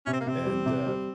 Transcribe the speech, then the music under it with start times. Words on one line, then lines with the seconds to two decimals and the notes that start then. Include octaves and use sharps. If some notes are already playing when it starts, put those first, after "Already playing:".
and, um
0.06 C3 C#4
0.13 C4
0.21 A#3
0.26 C3 C4
0.46 G3
0.66 C3
0.86 G3